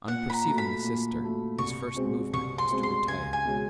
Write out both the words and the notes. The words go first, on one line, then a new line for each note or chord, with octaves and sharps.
On perceiving the sister, his first movement was to retire.
A#2 F#5
B5
A#5
F#3 A3
B5
A#2
F#3 A3
C2 C#6
B2 G#3 C4
C2 C#6
C6
B2 G#3 C4
C6
C#2 G#5
G#5
B2 G#3 C#4